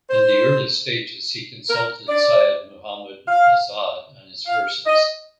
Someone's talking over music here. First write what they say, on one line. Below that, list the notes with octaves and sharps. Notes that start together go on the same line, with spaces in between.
In the early stages he consulted Syed Muhammad Azad on his verses.
C5
A#4
D5
F5
F5
D#5